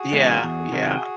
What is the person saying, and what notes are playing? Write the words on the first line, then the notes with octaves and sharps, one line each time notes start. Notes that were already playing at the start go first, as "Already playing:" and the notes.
Yeah, yeah.
Already playing: F#4 G#4
C#3 E3 G#3 B3
E2
C3 D#3 F#3